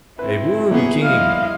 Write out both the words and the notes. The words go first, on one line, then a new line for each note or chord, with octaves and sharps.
"A boon, King!"
C4 E4 B4
A#2 B3 C#4 G#4
F3 G3 E4 D#5 F5